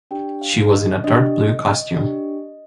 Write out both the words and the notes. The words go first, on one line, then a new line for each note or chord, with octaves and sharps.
She was in a dark blue costume.
D4 G4 G5
F5
D#5
D4 G4 D#5
D4 G4